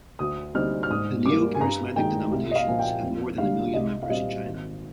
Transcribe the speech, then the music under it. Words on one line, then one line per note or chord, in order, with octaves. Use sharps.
The neo-charismatic denominations have more than a million members in China.
D2 D#6
D3 G3 C4 D#4 F6
F6
G#2 D#6
G3 A#3 D6
G#5
G2 A#5
D#3 G#3 D#4 G5
C2
D#5
F5
A#2 F3 A#3 F4 G#5
G5
F2
D3 G3 D4 F5
C2 D#5
F5
A#2 G3 C4 D#5
G#1